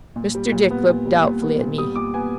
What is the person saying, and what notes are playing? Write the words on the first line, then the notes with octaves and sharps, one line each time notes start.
Mr. Dick looked doubtfully at me.
A#2
G3
A#2
B3
A#2
G3
A#2
B3
A#2
G3 D#6
A#2 D6
B3 G#5